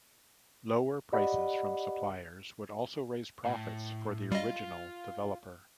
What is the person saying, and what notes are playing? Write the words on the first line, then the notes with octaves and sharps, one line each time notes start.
Lower prices from suppliers would also raise profits for the original developer.
G4 D5 D#5 F#5 B5
A2
G3 F4 D#5